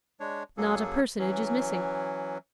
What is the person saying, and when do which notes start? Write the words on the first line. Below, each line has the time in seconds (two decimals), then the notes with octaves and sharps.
Not a personage is missing.
0.20 G#3 D4 C#5
0.57 F#2 F#3 A#3 G#4 A4
1.19 E3 F#3 C#4